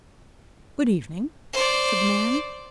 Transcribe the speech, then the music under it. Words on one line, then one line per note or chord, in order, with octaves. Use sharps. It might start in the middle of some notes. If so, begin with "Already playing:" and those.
"Good-evening," said the man.
C5 D5